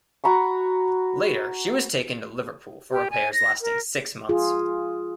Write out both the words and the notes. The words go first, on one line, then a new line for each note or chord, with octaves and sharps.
Later she was taken to Liverpool for repairs lasting six months.
F#4 A#5 B5 C#6
G4
G#5
A#6
A#4
F4 G#4